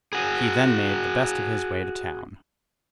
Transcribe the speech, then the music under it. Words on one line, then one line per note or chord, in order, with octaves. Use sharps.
He then made the best of his way to town.
F#4 G#4